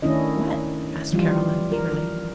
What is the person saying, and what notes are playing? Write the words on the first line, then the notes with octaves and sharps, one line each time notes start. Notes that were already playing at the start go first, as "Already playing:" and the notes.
"What?" asked Caroline, eagerly.
D#3 A3 C#4 D4 E4 D#5
E3 F3 G3 F4
A#4